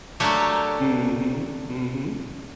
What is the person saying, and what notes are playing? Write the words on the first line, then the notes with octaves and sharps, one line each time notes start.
Mhm. Mhm.
F#3 A3 A#3 D4 G4 C#5